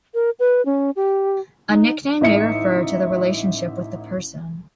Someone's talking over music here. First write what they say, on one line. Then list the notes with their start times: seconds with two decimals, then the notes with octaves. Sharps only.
A nickname may refer to the relationship with the person.
0.14 A#4
0.39 B4
0.65 C#4
0.96 G4
1.69 D#4
2.21 A1 D#4 E5 C#7